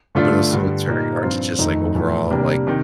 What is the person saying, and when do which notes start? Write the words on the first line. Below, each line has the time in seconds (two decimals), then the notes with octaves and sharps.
but also it's very hard to just, like, overall, like,
0.15 G2 D3 A3 D4 F4
0.51 G2 D3 G3
0.87 A#2 G3 A#3 D#4
1.22 G2 F3 C4 F4
1.59 F2 D#3 A3 D#4
1.95 A2 F3 A3
2.30 C3 G3 A#3 D4
2.67 C3 D#3